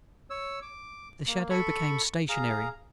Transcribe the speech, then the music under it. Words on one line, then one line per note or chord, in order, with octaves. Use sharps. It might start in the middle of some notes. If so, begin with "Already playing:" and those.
The shadow became stationary.
C#5 E6
D6
A#3
A4 B5 C#6
G#4 F5 A#5